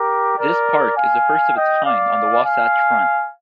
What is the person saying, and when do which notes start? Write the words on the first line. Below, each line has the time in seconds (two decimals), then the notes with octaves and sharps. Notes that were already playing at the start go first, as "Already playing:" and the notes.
This park is the first of its kind on the Wasatch Front.
Already playing: G4 A#4
0.37 A#4 D5
0.96 F5 G#5
1.55 D#5 G5
1.84 D5 F5
2.43 F5 G#5